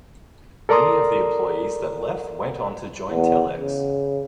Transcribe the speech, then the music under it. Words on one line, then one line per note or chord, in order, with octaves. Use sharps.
Many of the employees that left went on to join Telex.
A4 A#4 D5 A#5 C6 D#6
E2
C#3